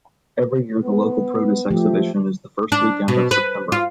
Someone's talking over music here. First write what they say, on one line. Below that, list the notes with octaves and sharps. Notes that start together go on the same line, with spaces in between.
Every year, the local produce exhibition is the first weekend of September.
B3
F3 A3 G4
D4
B2
B4
F4